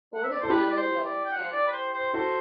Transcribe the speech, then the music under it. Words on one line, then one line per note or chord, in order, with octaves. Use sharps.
"Code of Canon Law", can.
F#5
E5
D5
A4 C5
E4 G4 B4
D5
C5
D5
G5
F#5
D5
B4
C5
C5
F#4 A4 C5